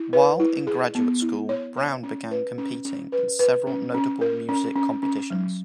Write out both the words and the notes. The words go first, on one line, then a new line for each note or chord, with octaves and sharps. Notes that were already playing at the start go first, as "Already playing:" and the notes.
While in graduate school, Brown began competing in several notable music competitions.
Already playing: E4
B4
E4
G#4
B3
E4
C#5
C#5
C#4
B4
C#4
C#4
B4
B4
C#4
C#4
A#4
C#4
C#4
C#4
F#3